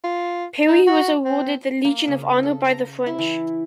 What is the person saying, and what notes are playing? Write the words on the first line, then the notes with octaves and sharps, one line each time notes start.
Perry was awarded the Legion of Honour by the French.
F4
D#4
F#4
C4
A#3
C#3
A4
A#5
E4
E3